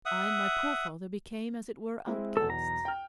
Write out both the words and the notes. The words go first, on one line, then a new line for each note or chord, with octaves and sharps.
I and my poor father became as it were outcasts.
E5 F#5 D#6
G#3 C4 E4
B1 E2 A4
A#5
G5 F6